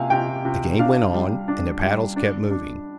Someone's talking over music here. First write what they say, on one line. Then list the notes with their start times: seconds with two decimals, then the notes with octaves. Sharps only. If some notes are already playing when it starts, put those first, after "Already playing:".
The game went on, and the paddles kept moving.
Already playing: C3 A#3 F5 G#5
0.10 C3 G5
0.45 C3
0.79 D4 F5
1.14 G3
1.48 D4
1.82 G3
2.16 D4
2.51 D4